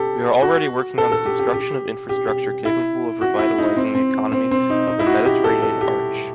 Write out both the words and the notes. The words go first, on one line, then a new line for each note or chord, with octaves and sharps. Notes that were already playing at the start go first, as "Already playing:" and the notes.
We are already working on the construction of infrastructure capable of revitalizing the economy of the Mediterranean Arch.
Already playing: G4 A4
F#4
A4
A4
G4
G4
G4
G4
G4
E4
F#4
E4
D#4
C4
C4
C4
C4
D#4
D#4
E4
F#4
G4
A4
A4
G4